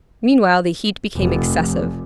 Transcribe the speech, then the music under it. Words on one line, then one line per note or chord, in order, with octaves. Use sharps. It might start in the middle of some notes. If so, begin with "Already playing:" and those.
Meanwhile the heat became excessive.
F1